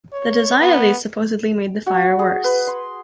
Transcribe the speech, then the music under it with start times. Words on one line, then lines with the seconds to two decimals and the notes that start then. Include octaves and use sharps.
The design of these supposedly made the fire worse.
0.13 C#5
0.59 B3
1.86 F#4
2.19 G#4
2.44 B4
2.67 C6